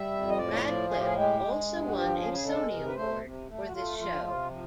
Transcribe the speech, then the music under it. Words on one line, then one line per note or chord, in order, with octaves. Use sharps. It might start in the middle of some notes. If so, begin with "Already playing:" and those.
Radcliffe also won a Sony award for this show.
Already playing: G3 E5
F2
D#5
A2 D5
C#5
F3 D5
A2 G#4
G4
G#4
G#3 G4
G#3
G2
F#4
F3 G4
C#3 G#4
G#4
G#3 A4
C3 A#4
B4
A3 C5
C3
A3
F#4
A3 F4
F3 F4
C3 F4
F3